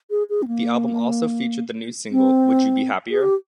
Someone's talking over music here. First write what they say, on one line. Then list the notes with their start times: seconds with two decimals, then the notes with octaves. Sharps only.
The album also featured the new single Would You Be Happier?
0.10 G#4
0.30 G#4
0.42 C4
0.48 A#3
2.12 C4
3.11 G#4
3.22 G4